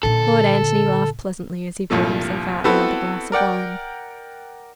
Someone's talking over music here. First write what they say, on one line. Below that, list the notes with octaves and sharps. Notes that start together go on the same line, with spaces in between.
Lord Antony laughed pleasantly as he poured himself out another glass of wine.
A#2 D3 A4
C2 G2 A#2 F3 A3
B3 C4 E4 F#4 A4 B4
A#4 D5 F#5 G5